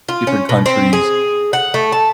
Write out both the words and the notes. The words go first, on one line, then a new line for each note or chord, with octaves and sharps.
different countries,
F4
C#4
B2
C4
G#4
F#5
A3
A5